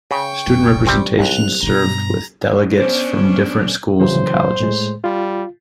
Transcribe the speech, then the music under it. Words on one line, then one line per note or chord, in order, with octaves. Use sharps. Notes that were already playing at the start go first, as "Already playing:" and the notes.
Student representation served with delegates from different schools and colleges.
C#3 G5 C#6
F1 C2
G3 C4
C2 G3 F#6 F7
G2 B2 A#5
B3 C#4 D4 C5
C#3 E3 F#3 C5
A2 G#3
G3 F4